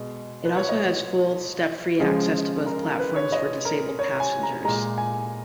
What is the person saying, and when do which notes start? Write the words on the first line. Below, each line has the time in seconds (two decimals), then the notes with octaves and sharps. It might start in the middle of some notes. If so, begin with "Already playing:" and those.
It also has full step-free access to both platforms for disabled passengers.
Already playing: B2 G#3
0.45 B4
0.57 C#5
0.69 D#5
2.00 C#3 F3 G#3
2.66 A#4
2.83 A#4
2.99 B4
3.16 C#5
3.32 D#5
3.65 A#4
3.99 C#5
4.20 G#5
4.43 A#5
4.65 A#2 G#3 A#5
4.98 G#5